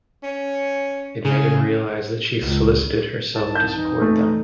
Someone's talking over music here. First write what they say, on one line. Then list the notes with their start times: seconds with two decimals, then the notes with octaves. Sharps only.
It made him realize that she solicited herself to support them.
0.23 C#4
1.25 C#3 G#4
2.40 C#2
3.36 C2 G#2 A5
3.55 G6
3.76 F2 E3 D#4
4.01 A3